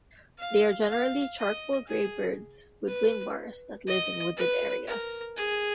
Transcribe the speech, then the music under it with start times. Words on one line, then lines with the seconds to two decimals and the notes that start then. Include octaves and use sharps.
They are generally charcoal-grey birds with wing bars that live in wooded areas.
0.39 F5
0.88 F5
1.39 D#5
1.88 G#4
2.88 B4
3.87 D#5
4.37 B4
4.87 A#4
5.36 G#4